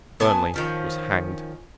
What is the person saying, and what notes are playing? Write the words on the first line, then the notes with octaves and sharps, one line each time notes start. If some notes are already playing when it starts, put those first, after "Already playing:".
Fernley was hanged.
B3 G#5 A5
D#3 F3 C#4